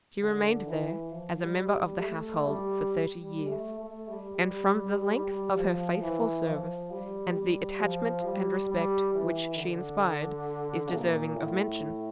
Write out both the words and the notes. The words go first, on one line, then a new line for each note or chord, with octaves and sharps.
She remained there, as a member of the household, for thirty years; and from the length of her faithful service, and the attachment and respect which she inspired, is deserving of mention.
D3
E3
F3
G3
G3
A3
G3
G3
A3
A3
G3
G3
G3
G3
G3
F3
E3
F3
G3
G3
F3
G3
G3
E3
D3
A#2
A2